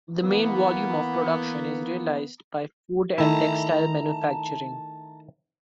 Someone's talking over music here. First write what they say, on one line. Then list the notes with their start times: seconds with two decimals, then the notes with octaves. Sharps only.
The main volume of production is realized by food and textile manufacturing.
0.22 E3 A#3 B3
3.18 D#3 A3 E4 A5 A#5